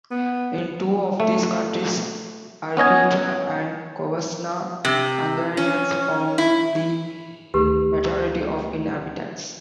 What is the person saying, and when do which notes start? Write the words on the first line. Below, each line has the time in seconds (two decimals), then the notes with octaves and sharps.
In two of these counties, Harghita and Covasna, Hungarians form the majority of inhabitants.
0.11 B3
1.20 A3
2.77 B3 C#4 D#5 G#5
4.85 C3
5.57 C#4
6.38 E4
7.54 D2 D#3 A3 G4 B4